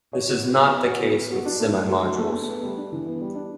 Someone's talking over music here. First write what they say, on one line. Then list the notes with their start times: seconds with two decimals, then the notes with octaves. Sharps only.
This is not the case with semimodules.
0.13 C#5
0.29 F#4
0.43 B3
0.58 B3
0.72 C#5
0.86 F#4
1.01 B3
1.17 B3
1.31 F#4
1.45 D4
1.60 A3
1.75 A3
1.89 F#4
2.05 D4
2.19 A3
2.33 A3
2.48 B3
2.63 G3
2.77 D4
2.92 E3
3.07 B3
3.21 G3
3.35 D4